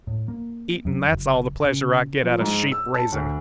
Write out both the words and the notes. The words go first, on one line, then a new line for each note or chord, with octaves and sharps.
Eating--that's all the pleasure I get out of sheep raising.
A2
A#3
F#2
F#1
C#3
F3
G#2
E6
A5
D2